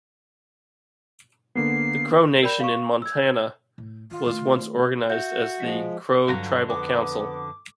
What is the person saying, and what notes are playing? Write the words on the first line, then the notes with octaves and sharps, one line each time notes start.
The Crow Nation in Montana was once organized as the Crow Tribal Council.
D3 A#3 B3 C7
A#4 D5 G5 B5 G6
F5 C#6
E6 G#6
A2
D#3 F4
D#3 A3
F#4 E5 G6
F3 G#3 B6
G2 D3 F#3 F4 F#4 A#5
F2 B3 D6